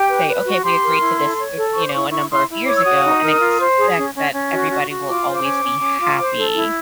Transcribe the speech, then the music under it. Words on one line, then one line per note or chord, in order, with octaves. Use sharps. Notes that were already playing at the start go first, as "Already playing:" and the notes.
say, "Okay, we agreed to this, you know, a number of years ago and expect that everybody will always be happy."
Already playing: G4 G5
B4
B4
F#4
G4 C6
A#4
E4
A4
C#5
A4
C5 C#6
D6
E4 C#6
E4 C#6
E4 C6
E4
C#5 D6
E6
F#4 D#6
D#4
A#4
F4
C5
G#4
C#4
C#4
C#4
F#4
F#4
F#4
F4 D6
C5
D6
C#4
C#4
C#4
F4
C5
A4
E4